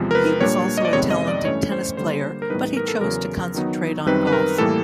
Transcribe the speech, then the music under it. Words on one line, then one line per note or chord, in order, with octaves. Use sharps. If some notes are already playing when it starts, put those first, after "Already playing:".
He was also a talented tennis player, but he chose to concentrate on golf.
Already playing: E2 C3 F3 G#3
A#4
B4
A#2 G3 A#3 D4 C#5
D#5
D5
F2 C3 D#3 G#3 B3 C#5
D#5
D5
G2 E3 A3 C#4 C#5
C5
D3 G3 A#3 C5
A#4
A2 E3 G3 B3 D#4 B4
A#4
A4
E2 C#3 F#3 A#4
D#3 F#3 B3 D#4
F#2 D#3 G3 C4 D#4 B4
B4
A#4
A2 E3 G3 A#3 A4